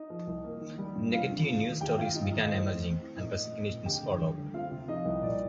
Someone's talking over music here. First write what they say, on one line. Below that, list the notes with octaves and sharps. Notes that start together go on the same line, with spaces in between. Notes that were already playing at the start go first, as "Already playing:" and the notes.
Negative news stories began emerging and resignations followed.
Already playing: D#4 D#5
F3
C2
A#3
D#3
G3
G2
C4 F4 F5
D3
A3
D#2
D#2 G4 G5
D3 F4 F5
G3 D#4 D#5
D#2 D#4 D#5
A2 C5
A3
C4
A2
A#2 D#4 D#5
A3
C4
A#2
D2 G4 G5
D3
G3
D2
C4 F4 F5
C3
F3 D#4 D#5
C2
A#2 D5